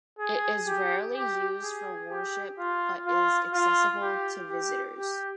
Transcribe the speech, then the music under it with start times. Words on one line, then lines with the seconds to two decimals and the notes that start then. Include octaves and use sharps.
It is rarely used for worship but is accessible to visitors.
0.19 G#4
0.66 G4
1.15 G4
1.62 G#4
2.11 G4
2.59 F4
3.07 F4
3.54 F4
4.02 G4
4.50 G4
4.99 G4